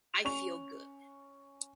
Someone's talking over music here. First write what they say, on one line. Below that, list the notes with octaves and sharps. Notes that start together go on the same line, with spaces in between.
I Feel Good!
C#4 C#6 F7